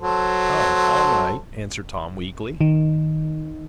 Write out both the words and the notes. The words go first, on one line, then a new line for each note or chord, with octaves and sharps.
"Oh--all right," answered Tom, weakly.
F#3 A4 C5
D#3